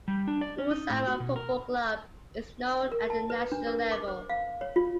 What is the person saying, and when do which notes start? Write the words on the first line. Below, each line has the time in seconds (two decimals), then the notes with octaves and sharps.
Usama Football Club is known at the national level.
0.08 G3
0.28 D4
0.41 D5
0.58 C#4
0.71 D#4
0.90 A2
1.07 F#4
1.20 B2
1.36 A#4
2.92 A#4
3.10 A5
3.30 B4
3.52 D4
3.67 A#4
3.92 D6
4.07 C5
4.30 F5
4.61 C#5
4.76 F4